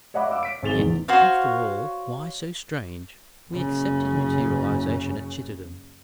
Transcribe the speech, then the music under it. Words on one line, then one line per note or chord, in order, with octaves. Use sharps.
Yet, after all, why so strange? We accepted materialization at Chittenden.
C#5 D#5 E5 F#5 B5 D6
F5 D6 E6
B6 D7
G#1 G#4 A6 F7 G7
E2 G#2
F#4 C5 C#5 F5
F#1 C#3